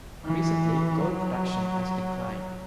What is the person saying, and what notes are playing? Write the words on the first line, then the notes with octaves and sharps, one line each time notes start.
Recently, gold production has declined.
E3
F#3